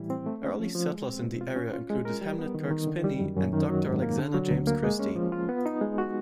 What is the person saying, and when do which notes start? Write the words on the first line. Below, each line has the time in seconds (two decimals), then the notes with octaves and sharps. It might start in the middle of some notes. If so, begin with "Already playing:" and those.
Early settlers in the area included Hamnett Kirkes Pinhey and Doctor Alexander James Christie.
Already playing: A2 E3 G3 E4
0.10 C4
0.26 A3
0.43 C#4
0.59 F3
0.75 F3
0.92 G#3
1.08 C4
1.24 B2
1.41 F4
1.56 C#4
1.73 F4
1.90 G#3
2.05 A#4
2.22 G3
2.39 B3
2.54 D#3
2.71 D#3
2.87 D3
3.04 G3
3.20 F#2
3.36 F#2
3.53 D#3
3.69 F#3
3.85 G#2
4.02 A#3
4.19 D3
4.35 F#3
4.51 D2
4.67 A#3
4.83 G#3
4.99 C#4
5.16 F3
5.32 F4
5.49 B3
5.66 D#4
5.81 G#3
5.98 F#4